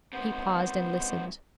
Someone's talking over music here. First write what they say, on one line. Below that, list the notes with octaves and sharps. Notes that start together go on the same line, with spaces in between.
He paused and listened.
G#2 C3 B3 C5